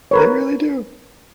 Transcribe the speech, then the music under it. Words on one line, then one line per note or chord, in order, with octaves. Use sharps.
they really do.
A#4 B4 C#5